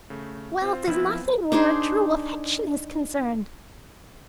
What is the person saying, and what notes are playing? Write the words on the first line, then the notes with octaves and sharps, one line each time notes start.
Wealth is nothing where a true affection is concerned.
C#3 A3
C4 F4 C5
F3 B3 C4 E4
D4 D#4 G#4 C5